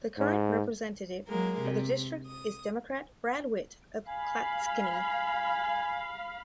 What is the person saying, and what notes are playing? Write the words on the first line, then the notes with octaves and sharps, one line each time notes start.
The current representative for the district is Democrat Brad Witt of Clatskanie.
G#2
F#3 G#3 A#3 A#4
C3
D#6
F5 G#5 B5